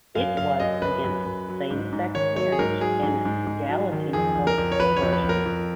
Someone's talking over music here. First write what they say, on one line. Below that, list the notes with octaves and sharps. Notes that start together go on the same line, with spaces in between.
It was against same-sex marriage and legality of abortion.
F#2 F5
F#2 F5
F#2 D#5
F#2 B4
F#2
F#2
F#3
G#2
G#2
D#3 C#5
F#3 C#5
G#4
G#2 A#4
F#3 G#4
G#2
G#2
G#2
F#3
D#3
F2 G#4
F2
A#4
F2
C#5
F2 B4
C#5
F2
B4
F2
A#4
F2